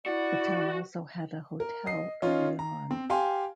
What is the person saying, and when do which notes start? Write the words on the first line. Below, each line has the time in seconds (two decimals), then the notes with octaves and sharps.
The town also had a hotel early on.
0.06 E4 F#4 D5
1.60 A#4
1.86 D#5 C7
2.22 C#4 D#4 F4
2.59 A#5
2.91 C4
3.10 G4 F5 G5 G#5 C6